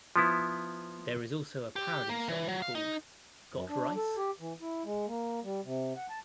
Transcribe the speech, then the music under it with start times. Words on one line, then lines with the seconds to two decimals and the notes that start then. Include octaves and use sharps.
There is also a parody song called Got Rice?
0.16 F3 B3 E4
1.76 G4
2.09 A#3
2.28 E3
2.49 F#3
2.62 F5
2.75 D#4
3.53 F#2
3.68 D4
3.96 A4
4.17 G4
4.40 E3
4.61 E4
4.84 G#3
5.07 A#3
5.43 G3
5.64 C3
5.96 F#5
6.10 A5